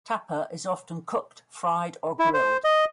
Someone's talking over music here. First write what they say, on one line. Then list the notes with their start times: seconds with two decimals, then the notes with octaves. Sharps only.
"Tapa" is often cooked fried or grilled.
2.19 E4
2.34 C5
2.64 D#5